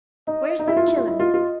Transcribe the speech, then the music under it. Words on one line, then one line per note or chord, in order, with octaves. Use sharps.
Where's them chillen?
D#4 D#5
D#4
E4 E5
F4
E4
F4
E4 D#5
F4
F4